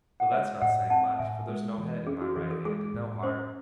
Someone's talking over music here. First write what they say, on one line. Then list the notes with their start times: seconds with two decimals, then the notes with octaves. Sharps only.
Though that's not saying much; for there's no head in my right hand, and no heart.
0.20 F#5
0.31 G#3 C#5 E5
0.61 A2 D#5 F#5
0.90 C4 F#5 A5
1.19 A2 E5 G#5
1.48 G#3 A4
1.78 E3
2.07 C#4 G#4
2.21 F#4
2.36 E3 G#4
2.51 A4
2.65 G#3 G#4
2.94 A2
3.23 C#4 C5